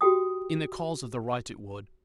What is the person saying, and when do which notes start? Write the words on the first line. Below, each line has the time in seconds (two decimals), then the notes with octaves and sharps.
'In the cause of the right it would.
0.01 F#4 G4 G5 D#6